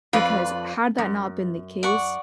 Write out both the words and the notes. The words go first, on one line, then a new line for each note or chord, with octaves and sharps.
Because had that not been the case,
F2 F4 B4 D5
F#2
D5 F#5 C#6